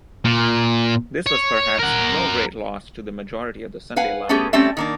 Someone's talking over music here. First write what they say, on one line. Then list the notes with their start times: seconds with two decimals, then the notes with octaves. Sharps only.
This was perhaps no great loss to the majority of the Sunday loungers.
0.25 A#2
1.26 C#5
1.79 A#4 F#5
3.96 B4 F5 F#5 G#5
4.29 A3 B3 C#4 G4 G#4
4.53 G3 A3 C4 C#4 E5
4.77 D#3 A#3 D4